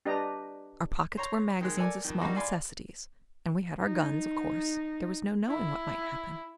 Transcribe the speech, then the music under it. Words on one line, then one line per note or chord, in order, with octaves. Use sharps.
Our pockets were magazines of small necessities, and we had our guns, of course--there was no knowing what might happen.
D4 G4 B4 D#5 A#5
C5 C#5 A#5
D#3 G#3 F#6
A4 A#4 D5 G#5
F2 D#3
G3 A#3 D4 D#4 F#4
D5 F5 G#5 B5 C6
D#4
E4